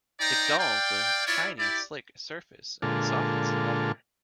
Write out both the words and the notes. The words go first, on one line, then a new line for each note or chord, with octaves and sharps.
It dulls the shiny, slick surface and softens the leather.
D#4 C5 D5 G5 A#5
D5 F5 G5
E4 F4 C#5 D5
E4 G4 D5
A#2 D3 G#3 F4 A4